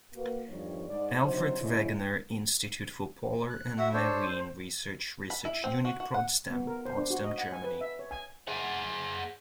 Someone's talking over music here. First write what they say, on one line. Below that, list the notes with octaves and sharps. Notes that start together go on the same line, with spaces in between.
Alfred Wegener Institute for Polar and Marine Research - Research Unit Potsdam, Potsdam, Germany.
A#3 F#4 B4
E2 G2 D#3 F3 G3 C#5
G#2 D5
C3 F#3 D4 D#4 C5
D3 G#3 C#4 E4
F#6
F#4 E5 F#5
D4 A4 C5 C#5
B5
E4
C4
F#4
F#4
F#5
B3
A#4
C5
D4
F#4
D#5
F#5
G#5
B4
E5
C#5
G#5
G#4 F#5